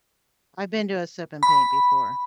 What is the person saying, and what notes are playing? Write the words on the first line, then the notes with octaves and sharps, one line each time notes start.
I've been to a sip and paint before.
B5